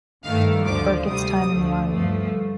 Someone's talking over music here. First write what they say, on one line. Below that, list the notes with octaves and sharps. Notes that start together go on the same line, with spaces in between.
Burkett's time in the Army.
G2 D#3 A3 F5
D2 D3 F3 D6
D2 C3 G3 D#6
D2 D3 A3
G2 F3 A3